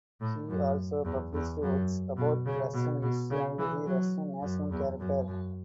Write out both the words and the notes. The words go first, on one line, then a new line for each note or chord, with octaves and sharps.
He also published works about Russian history and the Russian national character.
A2
F#2
E2
E2
F#2
B2
C#3
B2
B2
C#3
E3
F#3
F#2
E2
F#2
F#2